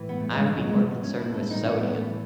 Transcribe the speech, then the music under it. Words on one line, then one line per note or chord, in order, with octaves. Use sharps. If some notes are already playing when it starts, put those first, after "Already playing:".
I would be more concerned with sodium.
Already playing: A2 E3
B3
A3
G#3
B2 F#3
G#3
A3
B3
C#4
E4
A4
A2 E3 D#4
C#4
B3
A3